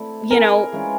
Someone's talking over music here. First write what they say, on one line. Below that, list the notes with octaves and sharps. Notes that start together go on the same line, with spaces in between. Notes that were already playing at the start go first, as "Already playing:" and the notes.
you know,
Already playing: A3 C4 E4 A4 D5
C4 E4 G#4 A#4
E3 G#3 C#4 F4